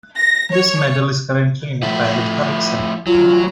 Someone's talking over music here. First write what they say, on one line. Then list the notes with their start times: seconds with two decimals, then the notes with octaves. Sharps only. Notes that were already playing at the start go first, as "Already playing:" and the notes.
This medal is currently in a private collection.
0.17 A#6
0.53 C#5
1.83 F3 A3 E4
3.07 F#3 F4